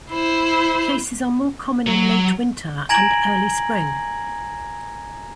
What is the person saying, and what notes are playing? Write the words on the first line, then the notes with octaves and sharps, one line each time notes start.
Cases are more common in late winter and early spring.
E4 C5
F#3
G#5 A#5 G#6 A#6 D7 F#7